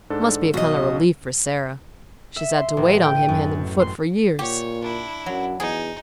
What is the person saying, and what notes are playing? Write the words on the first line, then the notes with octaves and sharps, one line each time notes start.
Must be a kind of relief for Sara--she's had to wait on him, hand and foot, for years.
G#2 D4 A4
B1 F#4 D#5
E5
C6
A1
G5
D#7
F#2
C6
A#2 G4 C#5
D4 E4
F#2 F#3
E2 D#4 G#4